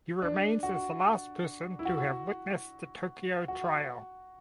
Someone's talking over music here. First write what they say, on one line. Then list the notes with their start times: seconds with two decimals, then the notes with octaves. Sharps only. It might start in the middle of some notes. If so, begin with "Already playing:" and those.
He remained as the last person to have witnessed the Tokyo Trial.
0.22 D4
0.63 F#4
1.79 E4
1.85 F#4
3.48 F#4